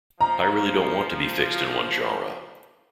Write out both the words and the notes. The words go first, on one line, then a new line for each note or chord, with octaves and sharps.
I really don't want to be fixed in one genre.
F3 A#5